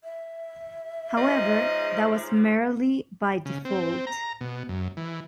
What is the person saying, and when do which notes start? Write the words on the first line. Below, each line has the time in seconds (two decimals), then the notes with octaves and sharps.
However, that was merely by default.
0.04 E5
1.17 G#2 C#3 F3 D#5
3.45 C#3
3.65 C4
4.07 A#5
4.41 B2
4.69 F#2
4.97 E3